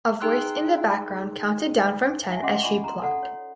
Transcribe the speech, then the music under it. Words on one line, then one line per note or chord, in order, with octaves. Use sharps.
A voice in the background counted down from ten as she plucked.
D#4 G#4 G5 C6 E6 F#6
D#4 E5 G#5
C#4 F#4 D#5 F#5 C6 D6
F4 D5 G#5 C#6
A#5 C6
A4 D5 F#5
C#5